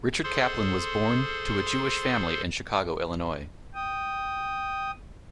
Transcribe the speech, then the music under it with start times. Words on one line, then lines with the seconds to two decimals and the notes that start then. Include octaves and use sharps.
Richard Kaplan was born to a Jewish family in Chicago, Illinois.
0.24 G#4 A4 C5 C6
3.74 G5 D#6